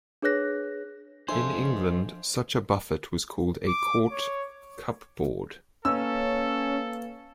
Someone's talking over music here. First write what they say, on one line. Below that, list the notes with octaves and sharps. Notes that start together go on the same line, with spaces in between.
In England such a buffet was called a court cupboard.
D4 G#4 B4 C#5 F#6 A#6
F3 D4 A4 C5 D#5 E5 G#5 C6
D6
C#5
A#3 C#4 A4 B4 F5 E6